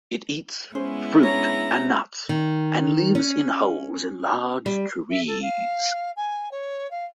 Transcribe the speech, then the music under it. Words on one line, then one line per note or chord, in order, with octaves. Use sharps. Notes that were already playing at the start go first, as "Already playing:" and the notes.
It eats fruit and nuts and lives in holes in large trees.
G#3 B3 C#4 E4 C5
D4 C#5 A#5
D#3
C#4
G3
E5
A4
F5
G#5
C#5
F5